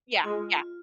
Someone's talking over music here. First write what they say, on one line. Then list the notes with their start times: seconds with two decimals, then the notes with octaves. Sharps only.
Yeah, yeah.
0.25 G#3 F4
0.58 F4